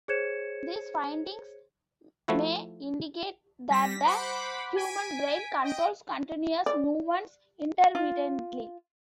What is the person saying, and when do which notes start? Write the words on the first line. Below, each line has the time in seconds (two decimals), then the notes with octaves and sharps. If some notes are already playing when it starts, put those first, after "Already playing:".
These findings may indicate that the human brain controls continuous movements intermittently.
0.08 G#4 C5 C#5 G#6 C#7 E7
2.28 F3 A3 E4 F#4
3.70 G3 A#6 B6
4.04 C5 F#5 B5 D6
4.76 G#5 B6 D7
5.62 D#5 G5
6.66 D5
7.95 F4